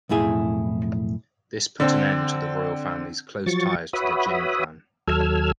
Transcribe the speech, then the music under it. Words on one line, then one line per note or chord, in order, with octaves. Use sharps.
This put an end to the royal family's close ties to the Jin clan.
B1 F2 A2 E4 G#4
D3 C4
F3 F#3 C#6 A6
F#4 B4 C#5 E5 B5 D#6
D#2 F#3 A4 E6 F6 G#6